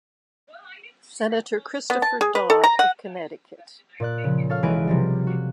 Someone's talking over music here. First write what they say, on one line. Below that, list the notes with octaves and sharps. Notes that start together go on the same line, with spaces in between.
Senator Christopher Dodd of Connecticut.
B3
A5
G#4
B4
A4
A#5
F#5
A#2 D5 F#6
C#3 F3
A4 C#5 F5 F6
B1 E3 G#3 B4 G#5 D7
C3 F3 G3
F#4